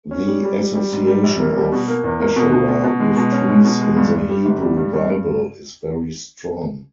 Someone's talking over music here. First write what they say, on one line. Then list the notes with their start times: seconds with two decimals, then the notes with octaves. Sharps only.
The association of Asherah with trees in the Hebrew Bible is very strong.
0.11 C#4
0.27 G3
0.43 G3
0.59 G3
0.75 G3
0.92 G#2
1.07 G3
1.24 A#1
1.39 A#3
1.56 G3
1.72 B2
1.88 A#3
2.04 E2
2.20 A#3
2.36 B2
2.52 B2
2.68 B2
2.84 B2
3.00 G#3
3.17 B2
3.32 C#4
3.48 G#3
3.65 B2
3.81 G#3
3.96 G2
4.13 G2
4.29 G3
4.45 G1
4.61 G3
4.77 G2
4.94 G2
5.10 G2